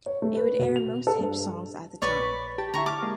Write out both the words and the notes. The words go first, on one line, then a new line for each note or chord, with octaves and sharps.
It would air most hip songs at the time.
C#5
A3
B4
B2
F7
A4
G2
A#1 B4 C#5 D5 B5 C#6
G4 A5
D3 E4 A#5 C#6
A5 D6 F6
G#3 A#3